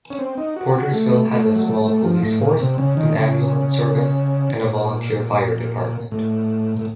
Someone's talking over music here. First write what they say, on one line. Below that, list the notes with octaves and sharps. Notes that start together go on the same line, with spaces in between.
Portersville has a small police force, an ambulance service, and a volunteer fire department.
C#4
C4
D#4
F#4
F#4
A3
A3
F#3
A3
A3
F3
A2
A#2
C3
C#3
D#3
C#3
A#2
A2
A2